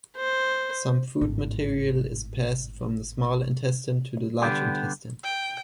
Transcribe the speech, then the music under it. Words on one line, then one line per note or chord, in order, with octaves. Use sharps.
Some food material is passed from the small intestine to the large intestine.
C5
G#1 A2
D3 G3 B3 G4
G5